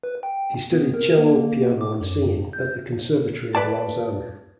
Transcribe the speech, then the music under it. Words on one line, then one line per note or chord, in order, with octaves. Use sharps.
He studied cello, piano and singing at the Conservatory of Lausanne.
B4
G5
B3
A#4
A#3
D6
F#2
G6
B4 D5 A5